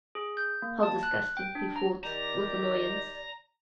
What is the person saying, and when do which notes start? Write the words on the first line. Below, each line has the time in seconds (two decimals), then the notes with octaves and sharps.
"How disgusting," he thought with annoyance.
0.15 G#4
0.37 G6
0.62 A#3
0.83 A5
1.03 F#6
1.37 G5
1.55 D4
1.76 A#5
2.04 D#3 G4 D5 A#5